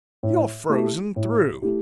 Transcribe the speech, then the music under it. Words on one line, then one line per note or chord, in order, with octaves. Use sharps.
You're frozen through!
A2
A3 E4 G4
A2
A3 E4 G4